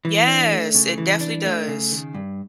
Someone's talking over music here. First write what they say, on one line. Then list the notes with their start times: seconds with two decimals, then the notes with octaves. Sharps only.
Yes, it definitely does.
0.05 E3
0.28 D4
0.52 A3
0.75 C#3
0.98 E3
1.21 D4
1.44 A3
1.68 C#3
1.92 D#3
2.14 G2